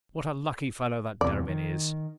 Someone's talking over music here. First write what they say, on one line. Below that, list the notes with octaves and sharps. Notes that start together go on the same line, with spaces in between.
What a lucky fellow that Derebin is!
E2 C3 D5
D#3